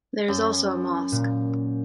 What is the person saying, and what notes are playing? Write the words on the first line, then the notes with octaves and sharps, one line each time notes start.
There is also a mosque.
F#2
A#2